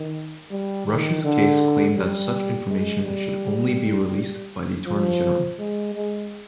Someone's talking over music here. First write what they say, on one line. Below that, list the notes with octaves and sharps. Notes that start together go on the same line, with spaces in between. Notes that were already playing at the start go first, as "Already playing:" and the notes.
Rush's case claimed that such information should only be released by the Attorney-General.
Already playing: D#3
G3
D#3
D3
G3
G#3
G3
F3
G#3
G#3